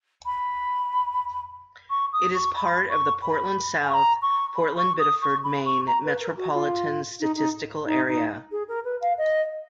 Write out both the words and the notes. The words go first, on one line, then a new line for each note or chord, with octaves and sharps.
It is part of the Portland-South Portland-Biddeford, Maine, metropolitan statistical area.
B5
C#6
D#6
C#6
B5
C#6
B5
G#5
C#6
A#5
C#6
B5
C#6
D#6
C#6
B5
C#6
A#5
B4
A#4
F#4
F4
D#4
D#4
D#4
D#4
G#4
A#4
B4
F5
D#5